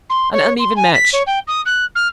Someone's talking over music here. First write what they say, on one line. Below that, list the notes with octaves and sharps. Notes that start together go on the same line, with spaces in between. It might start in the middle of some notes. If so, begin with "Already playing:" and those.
An uneven match.
C6
C#5
C6
G#5
B6
C#5
G5
D#6
F#6
F6